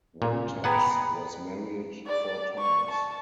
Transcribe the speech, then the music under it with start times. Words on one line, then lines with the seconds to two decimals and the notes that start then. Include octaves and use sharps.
Winters was married four times.
0.22 A#2
0.64 B3 G#4 F#5 G5 A#5 B5
2.07 D5
2.58 C#6
2.91 A5